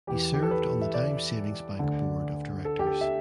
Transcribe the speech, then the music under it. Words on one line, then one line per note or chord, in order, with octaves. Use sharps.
He served on the Dime Savings Bank board of directors.
E2 E3 G4
G4
A4
B4
E5
D5
D2 D3
A4
G4
A4
E5